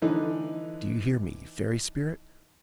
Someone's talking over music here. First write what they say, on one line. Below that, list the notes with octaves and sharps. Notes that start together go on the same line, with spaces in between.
Do you hear me, you fairy spirit?
D3 E3 D#4